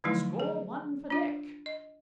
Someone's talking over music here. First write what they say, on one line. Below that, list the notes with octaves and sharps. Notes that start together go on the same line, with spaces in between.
Score one for Dick.
D3 F3 F#3 A3 D#4 E4
G#4
D4 F4
D#5